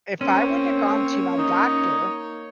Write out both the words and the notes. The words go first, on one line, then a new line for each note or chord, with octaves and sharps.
if I wouldn't have gone to my doctor,
A#3 C4 C#4 C#5
D#4